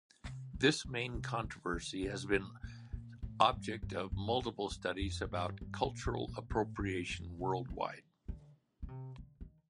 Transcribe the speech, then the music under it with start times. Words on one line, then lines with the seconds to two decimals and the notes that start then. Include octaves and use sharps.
This main controversy has been object of multiple studies about cultural appropriation worldwide.
0.24 C3
0.54 D#3
0.85 D3
1.14 C3
1.44 D#3
1.74 D3
2.03 C3
2.33 A#2
2.63 A#2
2.93 A#2
3.23 A2
3.52 G2
3.83 G2
4.12 G2
4.41 A2
4.71 G2
5.01 F2
5.24 A2
5.32 G2
5.61 G2
5.84 A#2
6.05 A#2
6.28 A#2
6.51 A2
6.80 G2
7.10 F2
7.39 C3
7.70 D3
8.28 D3
8.83 D3
8.88 C3
9.18 D3
9.41 D#3